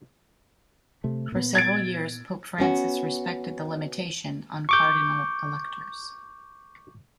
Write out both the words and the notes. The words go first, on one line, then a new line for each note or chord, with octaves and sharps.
For several years Pope Francis respected the limitation on cardinal electors.
C3 A3
A#2 B3
G#6 A6 D7
B3 C#4 F#4
C#6 D6 G6